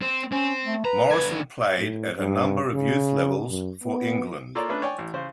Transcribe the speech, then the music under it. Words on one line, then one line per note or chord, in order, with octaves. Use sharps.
Morrison played at a number of youth levels for England.
C4
C4 C#4
A3
B4 A#5
D3 G#5
A2
G2
C#3
F#2
B3
A#3 F4 A4 C#5 D5 A#5
A3 B3 C#4 D4 B4
C#5 D5 G5 G#5
A1
C#3 C5